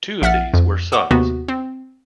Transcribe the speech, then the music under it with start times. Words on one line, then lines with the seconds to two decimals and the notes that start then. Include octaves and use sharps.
Two of these were sons.
0.22 A#1 E5 F#5 F6 A6
0.54 F2
0.92 F#5 C#6 D6
1.11 D#2 C3 B3 F#4
1.48 C4